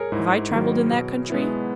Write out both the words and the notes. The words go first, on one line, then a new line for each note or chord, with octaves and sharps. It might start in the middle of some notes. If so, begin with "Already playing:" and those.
Have I travelled in that country?
Already playing: G#4 A#4 C#5
G#2 E4
D#3 F#3
B2
G#3 B3 E4